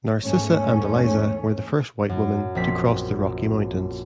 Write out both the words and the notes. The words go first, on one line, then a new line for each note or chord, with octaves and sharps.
Narcissa and Eliza were the first white women to cross the Rocky Mountains.
E2 G#2 A3 C#4
F#2
A#1 C4 B6